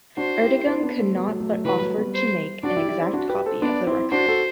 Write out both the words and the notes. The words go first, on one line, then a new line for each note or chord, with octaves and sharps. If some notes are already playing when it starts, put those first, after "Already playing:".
Ertegun could not but offered to make an exact copy of the record.
D4 F#4 C5
E4 G4
C4 E4
B3 D4
A3 C4
G3 B3
F#3 A3
F#3 A3
F#3 A3
E3 G3 B4
F#3 A3
G3 B3
C5
D4 F#4 D5
E4 G4
E4 G4
C4 E4
D4 F#4
G4 B4
A4 C5
B3 D4 D5
C4 E4
D4 F#4 C5
F#4 A4